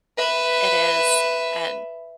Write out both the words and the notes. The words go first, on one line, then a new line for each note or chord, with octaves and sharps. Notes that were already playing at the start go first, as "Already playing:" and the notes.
it is, and
B4 E5